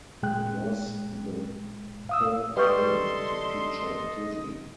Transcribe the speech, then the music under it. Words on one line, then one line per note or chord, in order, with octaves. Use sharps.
It was the third game to feature Dizzy.
A#2 G#3 G5 F#6
F5 D#6 E6
G3 A4 B4 D#5 C6 C#6 D#6